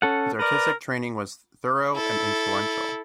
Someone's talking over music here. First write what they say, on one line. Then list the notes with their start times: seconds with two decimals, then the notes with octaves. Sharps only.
His artistic training was thorough and influential.
0.02 C#4 A4 F#5
0.39 A#4 B4 D5
1.95 E4 A4